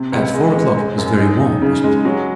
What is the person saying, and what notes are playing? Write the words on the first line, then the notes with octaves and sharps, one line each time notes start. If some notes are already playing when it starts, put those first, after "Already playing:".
"At four o'clock--it was very warm, wasn't it?"
Already playing: C3
C#2
G#3
G#3
G#3
F#2
D#4
D#4
C#3
G#3
F#3